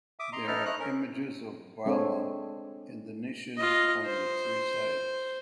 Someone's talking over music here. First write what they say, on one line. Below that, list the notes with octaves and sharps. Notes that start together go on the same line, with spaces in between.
There are images of Brahma in the niches on the three sides.
E5 D6 D#6
D#5 A#5 C6
D#4 E4 A4 D#5 F6
A3 D#5 A#5 F#6
C#4 A#4
G#3 C4 D4 A4 C#5
F4 D#5
C5